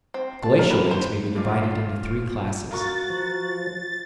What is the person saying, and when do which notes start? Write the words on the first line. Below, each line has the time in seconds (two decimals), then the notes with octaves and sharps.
Glacial lakes may be divided into three classes.
0.14 C4
0.43 A5
0.59 A#4
0.71 B4
0.91 C5
1.35 G#1 G2 F4 D6
2.71 F4 F#4 A#4 C#6 A6
3.10 F3